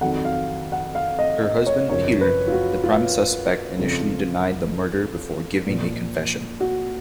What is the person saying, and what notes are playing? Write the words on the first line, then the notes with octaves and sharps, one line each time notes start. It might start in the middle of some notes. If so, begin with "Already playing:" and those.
Her husband Peter, the prime suspect, initially denied the murder before giving a confession.
F2 D#3 F#3 F#5
F5
F#5
F5
D#5
D#5
C#5
F#2 C#3 F3 C#5
B4
F4
F#4
F4
F2 C#3 F3
A#2 F3
F#4